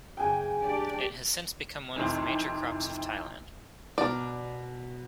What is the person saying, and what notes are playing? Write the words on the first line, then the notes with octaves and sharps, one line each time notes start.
It has since become one of the major crops of Thailand.
F#1 G#4 G5 G#5 F#6
D4 G4 D5
F2 C3 D#3 E3 C4
B2 D4 A#4 D5